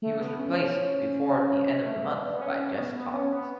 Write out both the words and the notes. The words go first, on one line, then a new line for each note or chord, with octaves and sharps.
He was replaced before the end of the month by Jess Cox.
A3
B3
C#4
C#4
A3
B3
D4
B3
C#4
C#4
B3
B3
C#4
B3